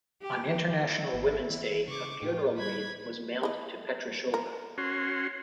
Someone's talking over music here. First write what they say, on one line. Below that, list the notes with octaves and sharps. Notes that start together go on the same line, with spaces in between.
On International Women's Day, a funeral wreath was mailed to Petrushova.
G4
E4
G#1
E3
C#3 C#6 D6
A2 F4 G4
G3 B4 B5 G#6
E4 D#5
A#4
C#4 F#4 C6